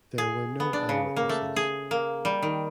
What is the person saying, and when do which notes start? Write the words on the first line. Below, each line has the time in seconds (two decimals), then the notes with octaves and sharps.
There were no eyewitnesses.
0.18 G#4
0.60 B3
0.73 D4
0.89 C#3
1.16 A#3
1.29 A3
1.56 G#4
1.91 A#3
2.25 G3
2.42 D#3